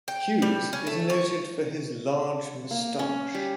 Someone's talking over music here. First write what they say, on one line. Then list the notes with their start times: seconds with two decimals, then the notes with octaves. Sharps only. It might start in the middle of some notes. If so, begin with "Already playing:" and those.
Hughes is noted for his large moustache.
0.08 G5
0.42 G3
0.73 C#4
0.87 A3
1.10 C#5
2.71 A#3
2.99 C#4
3.34 G3